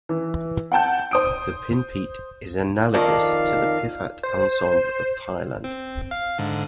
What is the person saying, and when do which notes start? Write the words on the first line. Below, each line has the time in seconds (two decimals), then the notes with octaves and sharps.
The pinpeat is analogous to the piphat ensemble of Thailand.
0.09 E3
0.72 F#5 G5 A5 G6
1.11 C5 D#6 D7
2.94 F2 D#3 D5 F5
4.23 C5
5.64 C4
6.11 F5
6.38 G#2 D3